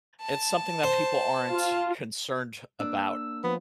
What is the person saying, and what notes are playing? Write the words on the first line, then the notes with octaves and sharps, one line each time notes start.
it's something that people aren't concerned about
A5
C5
F4
A#3 D4 E6
F3 B3